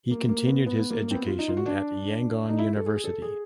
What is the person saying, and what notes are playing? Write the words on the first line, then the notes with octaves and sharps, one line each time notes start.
He continued his education at Yangon University.
A#3
A#3
B3
B3
B3
A#3
A#3
C4
B3
F4
D#4
F4
F#4
D4
D#4
E4
A4
G#4
A4
G#4